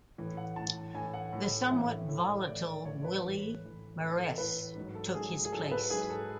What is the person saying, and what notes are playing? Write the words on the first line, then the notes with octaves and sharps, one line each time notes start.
The somewhat volatile Willy Mairesse took his place.
A2 E3
F#5
A2 E3 A5
A2 E3 G#5
F#5
A2 E3
A2 E3 E5
A2 E3
A2 E3 D5
A2 E3 C#5
B4
A2 E3
A2 E3
A2 E3 A4
A4
A2 E3 B4
G#2 F#3
A4
G#2 F#3 G#4
G#4
G#2 F#3 A4
B4
G#2 F#3 G#4
A4